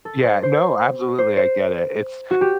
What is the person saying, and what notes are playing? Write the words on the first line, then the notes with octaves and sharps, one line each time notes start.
Yeah, no, absolutely. I get it, it's
A4
C5
C5
C5
C5
F#4
G4